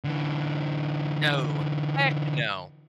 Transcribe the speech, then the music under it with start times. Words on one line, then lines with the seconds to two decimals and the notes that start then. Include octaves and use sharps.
No. Heck no.
0.04 D3 E3